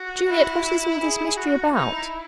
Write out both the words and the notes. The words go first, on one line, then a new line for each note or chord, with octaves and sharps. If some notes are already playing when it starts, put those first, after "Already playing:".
Juliet, what is all this mystery about?
Already playing: F#4
E4
G#4
F#4
D#4 E4